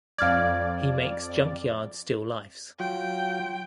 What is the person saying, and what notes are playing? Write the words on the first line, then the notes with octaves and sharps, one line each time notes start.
He makes junkyard still lifes.
F2 D5 F5 F6 G#6
F#3 F4 G5